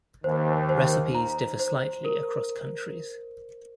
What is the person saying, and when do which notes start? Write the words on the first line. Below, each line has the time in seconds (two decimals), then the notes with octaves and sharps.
Recipes differ slightly across countries.
0.24 D#2 D#3 C5
0.69 C5
1.15 A#5
1.59 C5
2.05 A#4